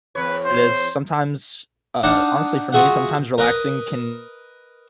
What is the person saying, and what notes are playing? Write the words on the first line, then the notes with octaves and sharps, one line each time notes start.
it is, sometimes, uh, honestly for me, sometimes relaxing can
E2 B4 C#5
C5
D4 D#4 F5 F#5 A5
F4 F#4 G#4 E5 F#5
A#4 B4 D#5